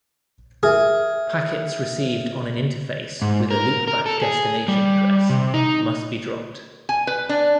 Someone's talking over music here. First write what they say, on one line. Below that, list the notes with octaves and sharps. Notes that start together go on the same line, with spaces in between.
Packets received on an interface with a loopback destination address must be dropped.
G#4 A#4 E5 F6
G#2
A#4
A#4
A4
G#4
G3
C3
D#4
G#5
B4
D4